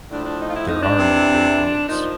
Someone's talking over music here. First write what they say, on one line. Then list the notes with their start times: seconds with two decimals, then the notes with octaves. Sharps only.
There are no railroads.
0.11 A2 F3 D4
0.25 D4
0.39 D#4
0.49 F4
0.54 E4
0.69 D#4
0.83 D4
0.98 C3 E3
1.86 A#2 F3 D#4